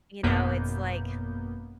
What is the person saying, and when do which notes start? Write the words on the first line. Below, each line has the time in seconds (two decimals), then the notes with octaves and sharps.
you know, it's like
0.23 G#1 F#2 B2 A#3 B3 G6